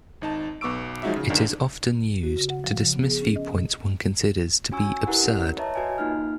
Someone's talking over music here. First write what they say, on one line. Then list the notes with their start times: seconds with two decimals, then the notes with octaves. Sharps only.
It is often used to dismiss viewpoints one considers to be absurd.
0.22 G#1 D#4 A5
0.61 B1 B3 C#6 D6 E6 D7
1.03 F3 F#3 G#3 D#4 F#4 E5
1.16 C#3
1.30 G1 C#2 D#3 D4
2.23 F#4
2.37 C#3
2.50 F#5
2.64 F3
2.79 C#3
2.96 B3
3.08 G#4
3.22 C#4
3.36 D#5
3.51 B2
4.71 C#4 F#4 G#5 C#6 E6
5.07 E4 G4 A#4 B4 F#5
5.23 C#4
5.57 B4 C#5 D#5 E5 A5 A#5
5.75 F#4 B4 D#5 G#5
5.98 A#3 D#4 F4 F6